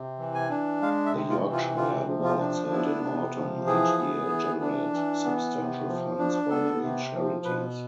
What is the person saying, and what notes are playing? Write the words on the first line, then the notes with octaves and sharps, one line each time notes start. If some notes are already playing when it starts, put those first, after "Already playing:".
The Yorkshire Awards, held in Autumn each year, generate substantial funds for many charities.
Already playing: C3
E3
G#5
D4
G#3 F5
E5
C3
F4
E3
F4
C3 F4
F3
F4
D4
B3 E4
C3
F3
E3 G#4
B3
E3
D4
E3
B3
C3
F3
D4
B3 A4
C3
F3
B2 B4